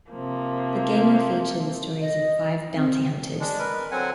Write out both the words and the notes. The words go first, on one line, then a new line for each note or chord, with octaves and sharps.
The game will feature the stories of five bounty hunters.
C3 F3 A#3
D#5
C4
G#3 D4
A#4 B4
D3 F#3 C4 F#5 G#5